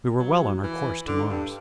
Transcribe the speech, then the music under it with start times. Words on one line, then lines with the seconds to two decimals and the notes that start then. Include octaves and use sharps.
We were well on our course to Mars.
0.19 F#3
0.63 E3
1.07 D3
1.29 G2